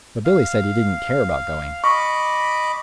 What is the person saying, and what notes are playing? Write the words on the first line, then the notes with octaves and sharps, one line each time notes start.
But Billy said he didn't care about going.
F5
D#5 B5 C#6 D6